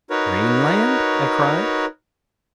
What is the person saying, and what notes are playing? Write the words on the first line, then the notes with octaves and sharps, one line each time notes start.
"Greenland?" I cried.
D#4 F#4 A#4 B4 C#5